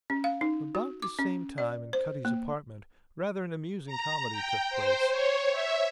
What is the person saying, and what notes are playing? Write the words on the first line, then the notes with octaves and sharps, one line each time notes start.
About the same time in Cutty's apartment rather an amusing comedy took place.
C#4
F5
D#4
F#4
D6
C#4
D5
C5
A#3
A#5
G5
C5
C#5
E5